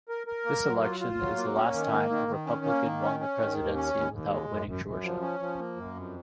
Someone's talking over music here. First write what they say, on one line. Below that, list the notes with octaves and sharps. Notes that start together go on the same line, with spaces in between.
This election is the last time a Republican won the presidency without winning Georgia.
A#4
A#4
A#3
F#3
F4
F4
F#3
A#3
C#4
D#3
A#3
D#3
D#3
C#4
A#3
D#3
C#4
C#4
D#3
D#2
C#4
D#2
D#2
G#3
F#2
F#2
F#2
F3
C#4
F3
A#3
F#2
F2